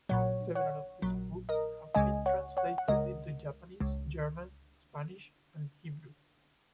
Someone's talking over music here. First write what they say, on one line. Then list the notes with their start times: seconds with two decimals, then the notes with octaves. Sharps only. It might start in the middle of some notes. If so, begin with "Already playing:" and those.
Several of his books have been translated into Japanese, German, Spanish, and Hebrew.
0.09 A#1 A#2 F#3 C#5 F#5
0.55 C#5 F#5
1.02 A#1 A#2 F#3
1.49 A#4 D#5
1.95 C#2 C#3 G#3 D#5 G#5
2.26 C#5 F#5
2.57 C#5 F#5
2.78 F#5
2.88 C#2 C#3 G#3 A#4 D#5
3.80 C#2 C#3 G#3